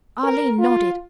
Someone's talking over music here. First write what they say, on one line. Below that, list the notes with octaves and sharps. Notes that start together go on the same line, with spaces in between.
Arline nodded.
A#4
F4